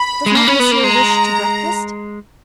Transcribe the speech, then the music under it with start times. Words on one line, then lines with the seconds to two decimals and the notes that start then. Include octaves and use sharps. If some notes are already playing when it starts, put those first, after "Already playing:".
"Does not Monsieur wish to breakfast?"
Already playing: B5
0.26 G#3
0.35 A#3 B5
0.48 C#4
0.60 B3
0.71 A#3
0.83 G#3 A#5